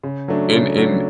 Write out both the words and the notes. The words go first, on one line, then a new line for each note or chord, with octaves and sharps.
in in
C#3
F#3 A3 D4
C#3
F#3 A3 D4